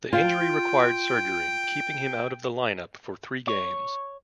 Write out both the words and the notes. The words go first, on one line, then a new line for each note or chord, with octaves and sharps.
The injury required surgery, keeping him out of the lineup for three games.
F4 G5
C#5